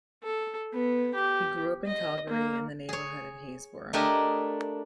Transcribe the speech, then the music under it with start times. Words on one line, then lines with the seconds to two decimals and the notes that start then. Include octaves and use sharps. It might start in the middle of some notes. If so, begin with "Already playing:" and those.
He grew up in Calgary in the neighbourhood of Haysboro.
0.23 A4
0.73 B3
1.15 G4
1.86 D#5
2.30 A#3
2.89 G#4 C#5
3.93 A3 D4 G4 A#4 D#5 G#5